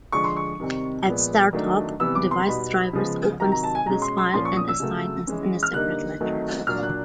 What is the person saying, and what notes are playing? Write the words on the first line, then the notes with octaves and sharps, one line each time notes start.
At startup, device drivers opened this file and assigned it a separate letter.
D3 F3 G#3 C#6
C6
C#6
C3 D#3 G3 C4
A#2 F3 G#3 B3
D#3 F#3 A3 D4
C3 E3 G3 B3 E6
D6
C6
B2 G3 B3 D#4 B5
C#3 F3 G#3 B3
C3 D#3 F#3 A#5
A#5
A5
G#5
B2 G#3 C#4 A#5
C6
C6
A#2 F3 A#3 C#4 C6
C#6
D#6
E6
C#3 F#3 A3
E3 G#3 C#4
F6
D3 G3 A#3 D#4 F#6
D#3 F#3 A3 C4 D#4
A#2 F#3 A#3 D4 F6
F#6